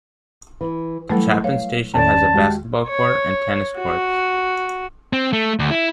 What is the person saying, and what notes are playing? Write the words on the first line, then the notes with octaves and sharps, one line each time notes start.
The Chapin Station has a basketball court and tennis courts.
E3
E3 F#3 G3 A3 A4
C#5 F5
E2 D#3 C#4 A4 C#5 D5 A5
G#3 F#4 G4
C#5
F#4
C4
A3
D2
E4